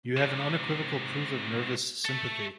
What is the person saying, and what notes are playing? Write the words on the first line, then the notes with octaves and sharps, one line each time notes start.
You have an unequivocal proof of nervous sympathy.
G#2 C3
A4 E5